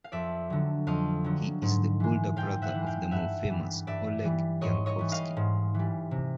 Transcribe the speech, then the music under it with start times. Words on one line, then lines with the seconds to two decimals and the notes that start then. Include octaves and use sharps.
He is the older brother of the more famous Oleg Yankovsky.
0.04 F5
0.12 F2 D5 E5
0.50 D3 F#3
0.87 F2 D#5 F5
1.24 D3 F#3
1.62 G#2
2.00 E3 G#3
2.36 G#2 F5 G5
2.62 E5 F#5
2.74 E3 G#3
2.86 F5 G5
3.11 G2 E5 F#5
3.50 E3 G3
3.87 G2 D5 E5
4.24 E3 G3
4.61 G#2 C#5 D#5
4.86 C#5 D#5
4.99 E3 G3
5.11 D#5 F5
5.37 G#2
5.74 E3 G3
6.11 C3